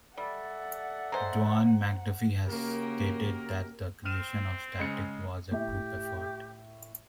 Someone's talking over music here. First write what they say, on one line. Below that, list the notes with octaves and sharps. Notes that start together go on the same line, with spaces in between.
Dwayne McDuffie has stated that the creation of Static was a group effort.
G3 A4 D5 E5 F#5
G#3 C5 A#5
C#3 A#3 F#4 G4 A#4
C4 F6 D#7 E7
C#3 G#3 C#7
A2 G4 E5